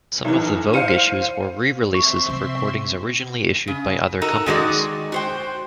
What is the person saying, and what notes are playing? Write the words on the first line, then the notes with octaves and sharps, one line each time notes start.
Some of the Vogue issues were re-releases of recordings originally issued by other companies.
B1 E3
C5 F5 C#7 D#7
C4 E5 C6 C#6
C3
C#3
D#4 F#4 A4 A#4
D#3 G#3 F#4 D5
F#4 C5 G5